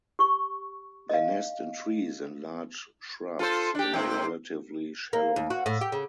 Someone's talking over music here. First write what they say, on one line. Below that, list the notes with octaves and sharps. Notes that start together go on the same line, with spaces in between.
They nest in trees and large shrubs in a relatively shallow nest.
G4 C#6
D#5 F5
F4 A4 C5
D4 G4
G#2 A#3 C4
A#3
D#2
F#4
A2
G4
C#3